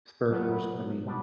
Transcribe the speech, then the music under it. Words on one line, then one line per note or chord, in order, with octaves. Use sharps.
Spurs, I mean
A2 F#3 B3
B2 G3 D4